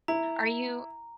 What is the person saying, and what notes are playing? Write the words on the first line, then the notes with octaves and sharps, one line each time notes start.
Are you
E4 A#5